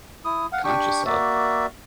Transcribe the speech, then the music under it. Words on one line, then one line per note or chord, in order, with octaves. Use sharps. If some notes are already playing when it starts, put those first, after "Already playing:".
conscious of.
E4 D#6
F5 F#5
D4 G4 G5 C#6
A#3 F#4 D5 E5